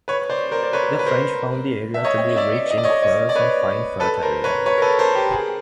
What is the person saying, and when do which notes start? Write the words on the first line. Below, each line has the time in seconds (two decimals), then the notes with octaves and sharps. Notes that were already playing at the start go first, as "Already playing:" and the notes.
The French found the area to be rich in furs and fine fertile land.
0.08 B4 C#5
0.30 C5 D5
0.51 A#4 C5
0.63 D5
0.73 B4 C#5
0.99 B4
1.06 A#4 C5
1.94 E5
2.04 C#5 D#5
2.37 D5 E5
2.70 D#5
2.78 D5
2.84 C#5 D#5
3.02 C#5 D#5
3.29 D5
3.35 B4 C#5
4.00 A4 B4
4.22 A#4 C5
4.44 B4 C#5
4.66 B4 C#5
4.78 A#4
4.82 A4 B4
4.98 A#4 C5
5.15 G4
5.32 G#4